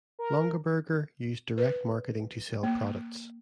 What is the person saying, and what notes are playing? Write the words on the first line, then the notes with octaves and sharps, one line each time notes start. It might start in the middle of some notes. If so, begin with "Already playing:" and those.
Longaberger used direct marketing to sell products.
A#4
B4
A#3